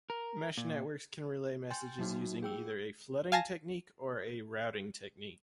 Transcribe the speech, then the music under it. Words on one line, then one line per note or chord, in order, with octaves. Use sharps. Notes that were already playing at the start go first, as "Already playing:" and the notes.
Mesh networks can relay messages using either a "flooding" technique or a "routing" technique.
A#4
A#2
G5 G#5 C6 G6 A6
F#3 A#3 D#4 F#4
G#4 G5 E6
F5 G#5 A5 A#6